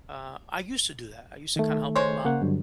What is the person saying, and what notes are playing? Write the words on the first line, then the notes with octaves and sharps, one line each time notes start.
uh, I used to do that, I used to kinda help people out,
D#3 A3
G#3 C5 C#5
C#3 A#3 F#5
G2 D3 F#3